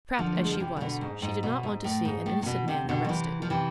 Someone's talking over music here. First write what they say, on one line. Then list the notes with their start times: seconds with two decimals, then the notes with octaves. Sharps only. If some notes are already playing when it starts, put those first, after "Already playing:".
Trapped as she was, she did not want to see an innocent man arrested.
0.19 D3 F3
0.36 A3
0.44 G#3
0.51 F3
0.60 C3 E3
0.77 E3
0.81 B2 D3
1.01 G#2
1.22 G#2
1.43 B2
1.63 G#2
1.84 A2
2.05 G#2
2.26 A2
2.42 C3
2.46 B2
2.68 C3
2.89 B2 D3
3.05 F3
3.09 C3 E3
3.42 F3
3.50 C3 E3